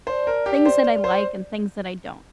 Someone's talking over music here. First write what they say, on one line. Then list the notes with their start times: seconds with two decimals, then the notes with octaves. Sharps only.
things that I like and things that I don't.
0.07 D4 C5
0.27 A#4
0.46 G3 G4
0.66 C5
0.84 F4
1.04 C5